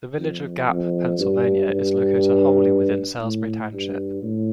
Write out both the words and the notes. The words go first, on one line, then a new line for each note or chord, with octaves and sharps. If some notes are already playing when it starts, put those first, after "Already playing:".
The village of Gap, Pennsylvania is located wholly within Salisbury Township.
F2
F2
G2
G2
A2
G2
A2